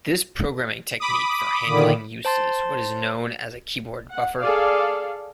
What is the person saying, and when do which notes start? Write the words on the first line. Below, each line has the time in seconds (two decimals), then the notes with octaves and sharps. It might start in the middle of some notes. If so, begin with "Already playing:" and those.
This programming technique for handling uses what is known as a keyboard buffer.
1.00 B5 D6 D#6
1.66 A#2 D3 D#3
2.25 C5 A5 C6 A6
4.10 F#5
4.40 G#4 A4 D5 F5